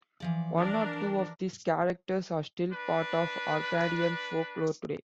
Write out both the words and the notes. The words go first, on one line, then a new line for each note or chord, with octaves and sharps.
One or two of these characters are still part of Orcadian folklore today.
E3 F3 D5
D4 A#4
D4 B4